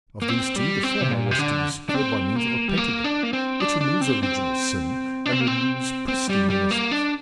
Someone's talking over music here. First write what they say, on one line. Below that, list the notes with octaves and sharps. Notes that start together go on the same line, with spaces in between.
Of these two the former was to be secured by means of a Pentagon, which removes original sin and renews pristine innocence.
A#3
C4
G3
C4
C3
A#2
C3
D3
D4
C4
A#3
G3
A#3
D4
A#3
C4
D4
D4
C4
C4
D4
C4
A#3
C4
C4
G3
G3
A#3
D4